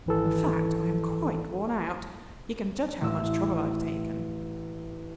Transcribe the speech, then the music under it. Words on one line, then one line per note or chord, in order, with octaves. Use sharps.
In fact, I am quite worn out; you can judge how much trouble I have taken!
G#1 E3 A4
A1 E6